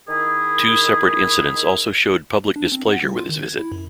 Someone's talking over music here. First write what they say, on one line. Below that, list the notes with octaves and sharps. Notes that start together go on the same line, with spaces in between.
Two separate incidents also showed public displeasure with his visit.
D#3 E4 G#4
D4
C4
F#5
G3
F4
D#3
G#6
E4
F#2